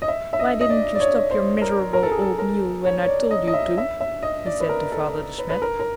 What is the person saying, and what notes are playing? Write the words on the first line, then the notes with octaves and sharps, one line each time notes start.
"Why didn't you stop your miserable old mule when I told you to?" he said to Father De Smet.
D#5
E5
E5
D#5
D#5
D5
D5
C#5
C5
A#4
A#4
A4
G#4
A4
A#4
C#5
C#5
D5
D#5
D#5
E5
E5
E5
D#5
D5
B4
A#4
A4
B4
B4
A#4
A#4